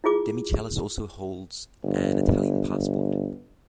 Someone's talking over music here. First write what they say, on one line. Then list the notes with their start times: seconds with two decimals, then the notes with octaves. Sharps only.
Demichelis also holds an Italian passport.
0.04 E4 F4 G#4 D6
1.83 G1
2.69 G1